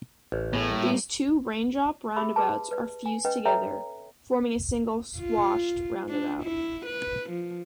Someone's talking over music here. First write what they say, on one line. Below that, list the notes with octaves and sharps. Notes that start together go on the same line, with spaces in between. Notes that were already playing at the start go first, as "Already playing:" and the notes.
These two raindrop roundabouts are fused together, forming a single "squashed" roundabout.
A1
A2 B3 G#4
G3 A#3
G4 G#4 E5 B5 E6
G4 G#4 B4 A5
B4 D5
G#5
C#4 B4 D#5 G5
A4 B4 C#5 E5 G5 A#5
F4
D4
E4
B4
F3